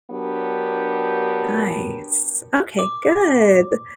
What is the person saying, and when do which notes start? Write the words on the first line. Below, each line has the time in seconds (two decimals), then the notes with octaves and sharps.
Nice, okay, good, th
0.11 F#3 B3 D4 G4 A#4
2.79 D6